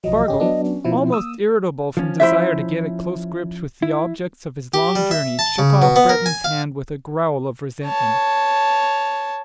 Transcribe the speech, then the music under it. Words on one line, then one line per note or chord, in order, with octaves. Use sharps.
Spargo, almost irritable from desire to get at close grips with the objects of his long journey, shook off Breton's hand with a growl of resentment.
C2 F3 F#3 D#5
G#1 C#4 G4
F#3 B3 D4
C#4
B2 F3 E4
A#3 D#6 E6
F3 C#4
E4 C5 E5
E4
G4
G3
E5
A5
C#3
B2
B3
A#4
G#5
F5
C#5 A5